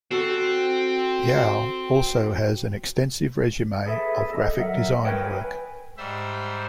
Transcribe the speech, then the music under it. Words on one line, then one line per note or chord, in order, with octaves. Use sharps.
Yow also has an extensive resume of graphic design work.
C4 F#4 A4
G#4 A4 B4 E5
A4 D#5
F#3 A#4 E5 F#5
A#4 B4 C#5 G5
B4 G#5
G#2 G3 C5 E5